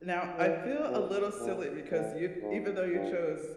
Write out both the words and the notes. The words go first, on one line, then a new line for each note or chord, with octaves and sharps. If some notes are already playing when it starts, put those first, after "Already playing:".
Now, I feel a little silly because you even though you chose
E3
B2
A#2
A2
G#2
G2